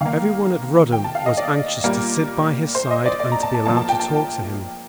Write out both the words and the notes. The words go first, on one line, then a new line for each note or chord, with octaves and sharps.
Everyone at Rudham was anxious to sit by his side and to be allowed to talk to him.
D#3 A#3 F5
G5
A5
F5
D#5
D5
A#2 G3 A#3
C5
D#5
D5
D5
A#5
A5
A5
A#2 F3 A#3 A5
A5
G5
A5